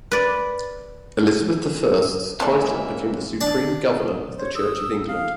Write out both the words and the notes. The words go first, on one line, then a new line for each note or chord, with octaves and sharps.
Elizabeth the First's title became the Supreme Governor of the Church of England.
B4 D5
C#3 E3 G#3 A#3 C4 A4 D5 E5
D4 A5
C5 C#5
D#6 E6
F5